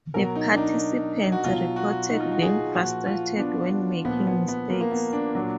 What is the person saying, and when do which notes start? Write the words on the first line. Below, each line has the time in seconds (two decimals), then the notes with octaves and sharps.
The participants reported being frustrated when making mistakes.
0.14 B2 F#3 A#4
0.35 D#4
0.52 D4
0.58 D#4
1.32 F#4
1.44 B2 F#3 F4
1.76 F#4
2.10 D#4
2.20 F4
2.32 F#4
2.42 G#4
2.74 A#2 F3 F#4
3.06 F4
3.36 B3
3.39 D4
4.05 A#2 F3 B3
4.27 B3
4.48 B3
4.70 A#3
4.81 A#3
4.91 B3
5.13 D4
5.35 A#2 F#3